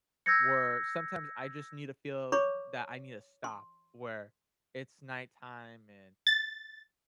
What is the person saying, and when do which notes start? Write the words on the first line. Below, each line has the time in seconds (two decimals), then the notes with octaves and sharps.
where sometimes I just need to feel that I need a stop, where it's nighttime and
0.26 E6 G6 G#6 A#6 C#7
2.32 C#5 B5 C#6 D6
3.44 C6
6.27 A6